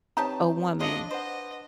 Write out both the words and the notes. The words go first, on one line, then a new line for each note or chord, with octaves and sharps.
a woman
C4 D#4 G4 B4 C#5 A5 A#5
G#3 D4 F4 D#5
B4 C5 D#5 F#5